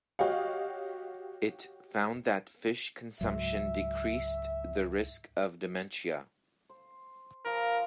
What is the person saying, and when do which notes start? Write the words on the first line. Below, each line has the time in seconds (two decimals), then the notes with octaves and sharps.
It found that fish consumption decreased the risk of dementia.
0.19 F#4 G4 C#5 D#5 F5
3.21 C#2 G#2 F#3 E5
6.69 C5
7.46 F3 F4 A#4 B5